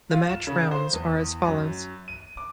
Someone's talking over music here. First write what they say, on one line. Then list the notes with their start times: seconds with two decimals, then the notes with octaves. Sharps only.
The match rounds are as follows.
0.11 F4
0.29 E7
0.47 C#3
0.71 C5
0.93 E2
1.47 F#2
2.08 D#7
2.37 D6